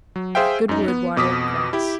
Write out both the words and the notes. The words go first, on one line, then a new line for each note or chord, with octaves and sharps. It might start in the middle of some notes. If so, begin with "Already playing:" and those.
Good wood, water, and grass.
F#3
G#4 C5 E5 F5 G5
F#2 D#4
B3
F2 B2 D6 D#6 B6
E4 G4